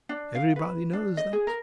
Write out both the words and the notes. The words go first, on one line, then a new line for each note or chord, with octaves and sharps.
Everybody knows that.
D4
F5
B4
D4
D#5
G#4
A#4